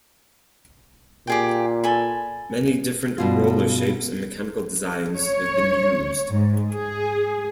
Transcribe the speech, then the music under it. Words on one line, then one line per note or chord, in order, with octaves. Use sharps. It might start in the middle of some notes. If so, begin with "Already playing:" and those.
Many different roller shapes and mechanical designs have been used.
A#2 G4 G#4 G5
A4 G#5 B5
G2 B2 F4
C#5
G#2
G#4